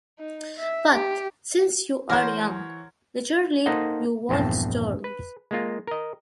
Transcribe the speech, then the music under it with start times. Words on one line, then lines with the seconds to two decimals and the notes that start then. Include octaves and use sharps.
But, since you are young, naturally you want storms.
0.19 D#4
0.59 E5
0.93 G4
2.09 E3 A#4 C5 C#5 F#5 A#5 G#6
3.66 A#3 D#4 A4 C5 D#5 F#5
4.29 A#1 E2 G2 C4 A5
5.04 B4
5.51 G#3 A#3 F4
5.87 A#4 D#5